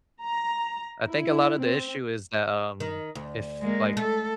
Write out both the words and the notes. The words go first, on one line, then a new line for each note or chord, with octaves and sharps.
I think a lot of the issue is that, um, if, like
A#5
E4
C4
D#3
D2
G#3 A#3
A3 A4